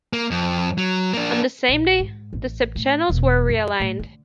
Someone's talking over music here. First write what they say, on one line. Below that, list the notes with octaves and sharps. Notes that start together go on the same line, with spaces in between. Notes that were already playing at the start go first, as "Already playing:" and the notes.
On the same day, the subchannels were realigned.
A#3
F2
F#3
A#3 D4
A#1
G#2
A1
A2
E1
F2
A2
D3